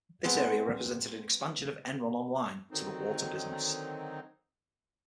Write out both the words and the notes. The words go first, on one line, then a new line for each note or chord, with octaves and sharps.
This area represented an expansion of EnronOnline to the water business.
G#3 B3 C4
D3 D#3 F#3 C4 D#4